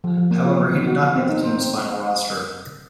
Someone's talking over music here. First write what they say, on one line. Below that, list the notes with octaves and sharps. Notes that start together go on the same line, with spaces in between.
However, he did not make the team's final roster.
F3
F3
A#3
F4
F#3
D#3
F#4
F#4
C4
D#4
C5
C4